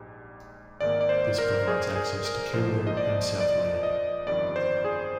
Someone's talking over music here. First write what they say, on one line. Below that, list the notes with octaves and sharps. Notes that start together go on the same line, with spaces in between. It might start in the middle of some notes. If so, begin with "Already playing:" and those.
This provides access to Kendall and South Miami.
Already playing: A#1 G#2 G3
G#1 G#2 D#3 A#3 D5
D5
C5
A#4
G#4
G#4
A#4
A#1 G#2 F3 A#3 C5
D#5
D5
D5
D#5
G1 F2 D#3 G3 D5
C5
G#4